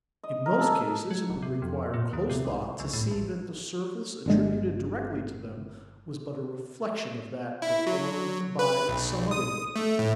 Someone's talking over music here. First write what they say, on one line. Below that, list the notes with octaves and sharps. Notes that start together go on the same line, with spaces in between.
In most cases it would require close thought to see that the service attributed directly to them was but a reflection of that performed by some other good.
D#5
A#4
A4
F#3
D#1
C3
F2
A#2
D#2
C3
C2
C#2
A2
A1
G1 D3 G#3
E4
F#3
B4
B1
D#6
A3
A2